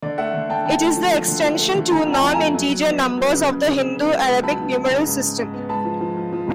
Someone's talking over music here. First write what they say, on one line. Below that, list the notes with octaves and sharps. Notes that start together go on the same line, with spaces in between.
It is the extension to non-integer numbers of the Hindu-Arabic numeral system.
D3 D5
A3 E5 F#5
D3
D3 G5 A5
D3 G5 A5
A3
F3
F3
D3
F3
A3
D3
D3 G#5 A#5
F2
G5 A5
F3
G#5 A#5
A3
F#3
F#3
B3
B3
F#3
C#3
C#3
C#3
C#3
B3
C#2
C#2
F#3 A5 B5
B3
B3
C#3
G#2
G#2
G#2
B3
G#3 A5 B5
F3
F3
F3
F3